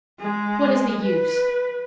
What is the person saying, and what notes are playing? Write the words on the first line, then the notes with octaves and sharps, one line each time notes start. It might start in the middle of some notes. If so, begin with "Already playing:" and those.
What is the use?
G#3
B4